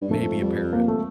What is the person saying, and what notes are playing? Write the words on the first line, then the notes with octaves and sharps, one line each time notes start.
Maybe a parrot.
G2
F2 A3
G3
A#3
A3